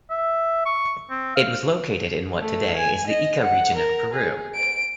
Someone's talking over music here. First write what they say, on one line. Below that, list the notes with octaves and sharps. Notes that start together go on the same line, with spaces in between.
It was located in what today is the Ica Region of Peru.
E5
C#6
C4
F5
A3
G#5
D#5
F#5
A#4
G#4
D7